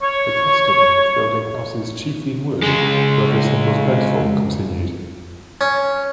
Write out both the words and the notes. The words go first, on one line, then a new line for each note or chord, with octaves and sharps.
The custom of building houses chiefly in wood wherever timber was plentiful continued.
C#5
C#2 G#3
C#4